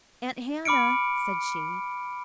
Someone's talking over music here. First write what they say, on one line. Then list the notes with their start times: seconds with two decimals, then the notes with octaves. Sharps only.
"Aunt Hannah?" said she.
0.65 B5 D6 F6 C#7 D7